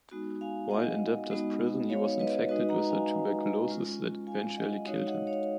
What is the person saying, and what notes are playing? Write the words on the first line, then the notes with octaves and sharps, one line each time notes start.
While in debtor's prison he was infected with the tuberculosis that eventually killed him.
G#3 B3 D#4 F#4
F5 G#5
D#5 F#5
G#3 B3 D#4 F#4
C#5 F5
B4 D#5
G#3 D#4 F#4 B4 D#5
F#5 A#5
F5 G#5
G#3 C#4 F4
F5 G#5
D#5 F#5
G#3 D#4 F#4 C#5 F5
D#5 F#5
C#5 F5